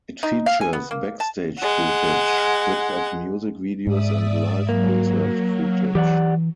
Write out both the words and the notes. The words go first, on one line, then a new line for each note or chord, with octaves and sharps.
It features backstage footage, clips of music videos and live concert footage.
D#4
F5
G#5
B3
A#3
A5
G#3 F#5
G#2 D5 E5 D#6
F#3 A#3
E3 G4 D5 F#5